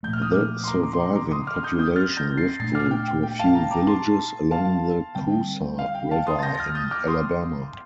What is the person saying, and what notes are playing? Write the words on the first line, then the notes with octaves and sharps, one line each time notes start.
The surviving population withdrew to a few villages along the Coosa River in Alabama.
A#2 F3 A3 G6
F6
D#6
D6 F6
C6
A#5 D6
A#5 D6
C6
A#5 D6
A#5 D6
C6 D#6
D6 F6
D#6 G6
D#6 G6
F6 A6
G6 A#6
A6 C7
A#2 A3 D4 A6 C7
D6 F6
G5
G5
G5
F5 A5
G5 A#5
A#5 D6
A5 C6
F5 A5
D3 G3 C4 G5
F5
G5
F5 A5
C6 D#6
A6
G6 A#6
A#6
F6 A6
D#6 G6
D6 F6
C6 D#6